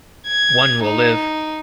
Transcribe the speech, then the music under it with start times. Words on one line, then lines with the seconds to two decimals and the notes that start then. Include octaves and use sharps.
One will live.
0.28 G#6
0.84 D#4